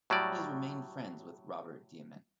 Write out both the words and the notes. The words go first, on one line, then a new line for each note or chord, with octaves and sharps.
He has remained friends with Robert Diament.
A2 F#3 G3 D5